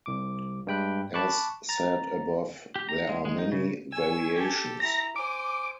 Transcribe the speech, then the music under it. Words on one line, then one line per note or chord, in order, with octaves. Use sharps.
As said above, there are many variations.
C2 D6
G2 G#3 G5 B5 F#6
A5 B5 C#6 D6 F#6
A#5 A6
G4
A#5
G#3
G#3
D#4
C#3
G#5 C#6 E6
G4 A4
E4 A#5 A#6
C5 G#5 D6